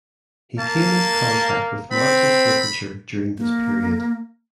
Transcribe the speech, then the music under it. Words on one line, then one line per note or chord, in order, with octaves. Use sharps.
He came into contact with Marxist literature during this period.
A#3 A5
C4 B5
A#3